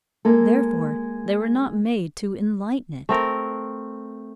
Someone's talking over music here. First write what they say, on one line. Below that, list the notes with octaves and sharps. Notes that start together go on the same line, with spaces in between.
Therefore they were not made "to enlighten it."
G#3 A#3 A4
A3 C4 A#4